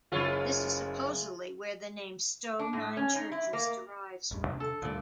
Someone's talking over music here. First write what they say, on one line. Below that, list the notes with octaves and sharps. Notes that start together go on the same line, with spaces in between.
This is supposedly where the name Stowe Nine Churches derives from.
F#1 E4 F4 G#4 C#5
D4
A2
C#4
D#4
E4
A#3
A1 E2 G2
C3 D4
A4
D2 G2 A#2 D5